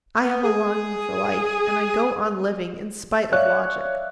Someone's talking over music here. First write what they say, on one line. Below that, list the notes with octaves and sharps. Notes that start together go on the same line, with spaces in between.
I have a longing for life, and I go on living in spite of logic.
B3
G#4
C#5 D5 E5 F5 F#6